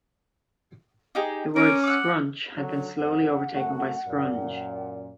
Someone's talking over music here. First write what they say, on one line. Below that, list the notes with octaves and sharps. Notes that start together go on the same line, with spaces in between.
The word "scrunch" had been slowly overtaken by "scrunge".
D#4 G4 G#4
C#4 A#4 D6
F#5 D6 E6
D3 F#3
C2 F2 F#5
F#2 A3 F#4
F#2 A#2